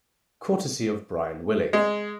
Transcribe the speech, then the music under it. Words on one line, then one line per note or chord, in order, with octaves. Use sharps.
Courtesy of Bryan Willy.
G#3